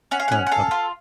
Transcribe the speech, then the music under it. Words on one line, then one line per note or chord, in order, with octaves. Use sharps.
Alright, bye-bye.
C#4 F#5
F5
C#4 F#5
F#5
A4 F5
F4